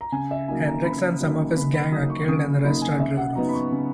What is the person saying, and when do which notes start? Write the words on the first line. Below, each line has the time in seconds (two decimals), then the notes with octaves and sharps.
Hendricks and some of his gang are killed, and the rest are driven off.
0.01 A#5
0.12 C#3 G#5
0.31 E5
0.48 F#3 A#3 D#4 G#5
0.67 A#5
0.84 C#3 B5
1.20 F#3 A#3 D#4
1.56 C#3 B5
1.74 B5
1.92 F#3 A#3 D#4 D#6
2.10 C#6
2.23 C#6
2.28 C#3 D#6
2.63 F#3 A#3 D#4 B5
2.82 G#5
3.00 C#3 E5
3.17 F#5
3.35 F#3 B3 D#4 A#5
3.49 B5
3.54 C#6
3.72 C#3